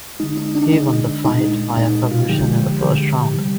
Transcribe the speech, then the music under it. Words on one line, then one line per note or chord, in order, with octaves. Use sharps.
He won the fight via submission in the first round.
D3 G#3 D#4
D#4
D4
D3 G#3 D#4
A#2 G#3 D#4
A#2 G#3 D#4
F4
D3 F3 G#3 G4
D3 F3 G#3 G4
C3 D#3 G3